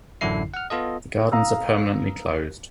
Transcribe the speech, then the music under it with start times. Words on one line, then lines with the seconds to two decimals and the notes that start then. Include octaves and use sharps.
The Gardens are permanently closed.
0.21 A1 F#2 D3 D4 E4 C7
0.54 F#5 F6
0.70 B3 F4 A4 D#5
1.32 F5 A#5 D#6 E6